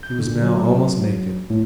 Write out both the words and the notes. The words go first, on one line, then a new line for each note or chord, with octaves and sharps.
He was now almost naked.
G6
D3
F#3
A2